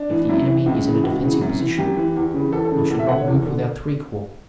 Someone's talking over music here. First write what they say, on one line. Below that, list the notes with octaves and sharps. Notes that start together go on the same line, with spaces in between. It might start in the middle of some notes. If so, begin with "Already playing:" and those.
If the enemy is in a defensive position, I should not move without three corps.
Already playing: D4
E3
F#2 E4
E3
C#2
C#3 E3
C#2 F#4
C#3 E3
F#2
E3
F#2 G4
E3
E2
C#3 E3
E2 A4
A4
C#3 E3
E2 A4
E5
D3 F#5
C#5
E2
D3